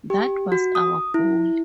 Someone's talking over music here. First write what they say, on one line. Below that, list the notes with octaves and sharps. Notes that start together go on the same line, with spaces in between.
That was our goal.
G4
F#4
D#6
E4